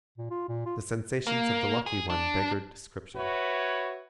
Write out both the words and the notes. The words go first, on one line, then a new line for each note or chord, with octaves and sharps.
The sensations of the lucky one beggared description.
A#2
F4
A#2
F4
A#3
G#4
D4
E4 F#4 B4 C#5